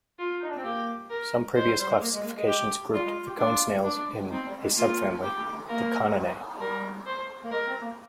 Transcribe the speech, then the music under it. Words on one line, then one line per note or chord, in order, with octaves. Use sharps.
Some previous classifications grouped the cone snails in a subfamily, the Coninae.
F4
D#4
D4
C4
A#3 G4
A#4
G#3 C5
G3
G3
G#3
A#3
G#3
A#3
G#3
G4
G3 F4
G#3
G4
D4 F4
D4
C4 D#4
G3
G#3
A#3 F4
G4
A#3 A#4
G3 A#4
C5
A#3
G#3 A#4
C4
A#3